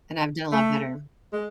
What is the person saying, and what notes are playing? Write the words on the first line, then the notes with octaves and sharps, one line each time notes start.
and I've done a lot better.
A3
G#3